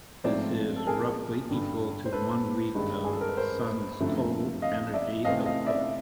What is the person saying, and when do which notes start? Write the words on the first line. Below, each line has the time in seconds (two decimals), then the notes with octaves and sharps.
This is roughly equal to one week of the Sun's total energy output.
0.24 G#2 F3 A3 C4 C5 D5
0.76 A4
0.87 G#4 A#4
1.50 G2 D3 G3
2.05 C5
2.12 A4 B4
2.75 G2 D#3 G#3
3.05 G#4
3.13 A4
3.21 A#4
3.29 B4
3.37 A#4 C5
4.00 F#2 D3 F3 A3 C4
4.62 D#5 F5
4.93 D5 E5
5.25 C3 E3 A3 C4 D#5 F5
5.46 D#5 F5
5.66 D5 E5